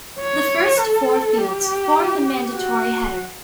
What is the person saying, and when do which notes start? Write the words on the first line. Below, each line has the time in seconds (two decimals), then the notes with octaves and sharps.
The first four fields form the mandatory header.
0.20 C#5
0.78 A4
1.37 G4
2.55 F#4